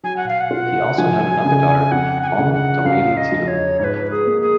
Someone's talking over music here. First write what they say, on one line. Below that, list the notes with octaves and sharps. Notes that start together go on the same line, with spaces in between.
He also had another daughter, Alma Delaney Teal.
F#3 G#5
F#5
F5
F#5
F4
F3 G#5
C#3
F2 F#5
G#5
F#5
C#3
F#5
F#2 F5
D#5
F3
C#5
G#2 B4 C#5
G#4
A#3
G#4